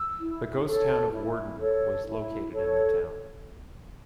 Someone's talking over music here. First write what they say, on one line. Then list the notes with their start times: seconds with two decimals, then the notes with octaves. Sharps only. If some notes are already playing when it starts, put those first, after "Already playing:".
The ghost town of Worden was located in the town.
Already playing: E6
0.19 E4
0.65 A4 C#5
1.12 E4
1.59 A4 C#5
2.06 E4
2.52 A4 C#5